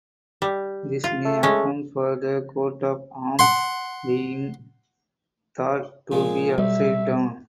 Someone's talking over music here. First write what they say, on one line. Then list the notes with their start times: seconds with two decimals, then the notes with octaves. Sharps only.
This may account for the coat of arms being thought to be upside down.
0.42 G3
1.04 F4
1.25 A3
1.43 G#3 C#4
3.39 F#5 C6
6.12 A#2 F3 G#3 G#4
6.58 B1 G3 E5